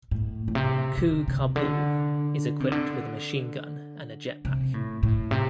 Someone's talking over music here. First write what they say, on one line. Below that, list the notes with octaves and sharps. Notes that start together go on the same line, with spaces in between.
Ku-Kabul is equipped with a machine gun and a jetpack.
A2
A2
C3
D3
C3
D3
C3
D3
C3
A2
A2
C3